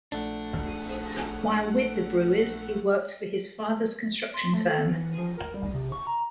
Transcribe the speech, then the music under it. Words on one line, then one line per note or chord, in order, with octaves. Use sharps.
While with the Brewers, he worked for his father's construction firm.
A#1 A3 D4 F#5
C6
A3
A4
E3
F3
A#4
G3
C3
C#6
A#5